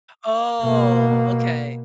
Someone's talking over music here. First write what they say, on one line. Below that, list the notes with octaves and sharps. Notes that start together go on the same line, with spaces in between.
Oh, okay. B
B2 A#3